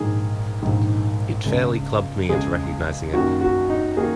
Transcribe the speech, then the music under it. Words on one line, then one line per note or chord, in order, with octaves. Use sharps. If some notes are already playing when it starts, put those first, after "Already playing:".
It fairly clubbed me into recognizing it.
Already playing: A#1 G#2 D#3 G#4
A#1 G#2 D#3
C#2 C#3 G#3
C#2 C#3 G#3 G#4
F#2 D#3 A#3 F#4
F#4
D#4
D#3 A#3 G#4